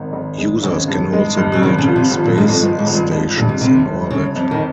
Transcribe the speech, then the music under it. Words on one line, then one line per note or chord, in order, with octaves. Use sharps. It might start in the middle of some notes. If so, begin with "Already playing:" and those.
Users can also build space stations in orbit.
Already playing: G#1 D#3
G#1
G#3
G#1 C#3
G2
G#3
G2
C#3
G#1 D#3
C#3
F3
C3
G#1
A#2
G#2 G#3
F2
G2 F3
G#2
G#1
G2
F2 G#3
G2 A#2
C3
G1 C3
G1
G1 C#3
F2
D#3